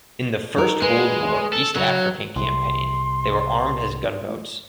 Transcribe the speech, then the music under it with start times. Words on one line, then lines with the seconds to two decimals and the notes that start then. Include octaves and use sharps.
In the First World War East African Campaign, they were armed as gunboats.
0.56 D#4 A4 A#4
0.82 G#3 B4
1.53 A4
1.76 C#3 F#3
2.36 C2 C6